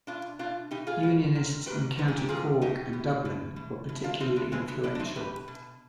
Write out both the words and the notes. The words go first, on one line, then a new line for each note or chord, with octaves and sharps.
Unionists in County Cork and Dublin were particularly influential.
B2 D4 F4
B2 D4 F4
B2 D#4 G4
F4 G#4
B2
G#2 D#3
G#2 D#3 G4 B4
G#2 D#3 B4
G#4
G4
G#2 D#3 F4 G#4
B2 D#4 G4
B2
B2
B2
B2
D4 F4
B2 C4 D#4
B3 D4
B2 G#3 C4
B3 D4
B2 B3 D4
D4
C4 D#4
B2 G4 B4
B2